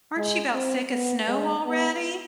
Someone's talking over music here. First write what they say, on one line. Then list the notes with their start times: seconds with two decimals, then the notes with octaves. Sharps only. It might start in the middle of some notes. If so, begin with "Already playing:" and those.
aren't you 'bout sick of snow already?
0.17 G#3
0.54 C4
0.90 B3
1.28 G#3
1.64 B3